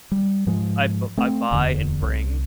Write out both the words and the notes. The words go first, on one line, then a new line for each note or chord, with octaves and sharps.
I b I buy and bring
G3
G#2 F3 G#3
A3 C4
D1 E2 D3
C2